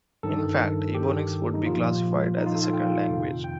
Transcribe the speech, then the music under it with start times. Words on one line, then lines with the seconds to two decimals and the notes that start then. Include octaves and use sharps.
In fact, ebonics would be classified as a "second language".
0.23 G2 D#3 A4
0.94 G4
1.54 D#4
1.66 A#2 F3 F4
2.37 D#4
2.46 F4
2.55 A4
2.64 F5
2.73 G5
3.09 F2 C3 D#3
3.44 G5